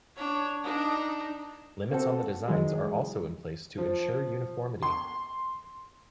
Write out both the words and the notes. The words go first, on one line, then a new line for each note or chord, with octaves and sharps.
Limits on the designs are also in place to ensure uniformity.
D4 C#5
D4 D#4
A#3 C4 F#4 A4
D#3 E3 F#3 G#3
F3
C6